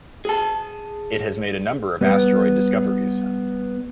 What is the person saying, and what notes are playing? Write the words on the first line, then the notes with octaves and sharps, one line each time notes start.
It has made a number of asteroid discoveries.
G#4 A5
G3 B3